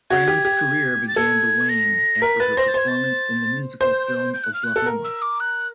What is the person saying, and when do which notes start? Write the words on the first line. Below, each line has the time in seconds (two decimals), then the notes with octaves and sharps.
Grahame's career began to wane after her performance in the musical film Oklahoma!
0.10 F#4 G#6
0.28 G4
0.45 G4
1.07 A6
1.16 A4 G#6
1.69 A#6
2.22 A#4 B6
2.39 B4 A6
2.57 C5 A#6
2.67 A6
2.74 C5 G#6
2.87 A6
3.80 C5 G6
4.06 G6
4.33 G6
4.43 F#6
4.53 F6
4.63 F#6
4.76 A4
4.86 A#4
5.04 E6
5.21 D6
5.39 F#6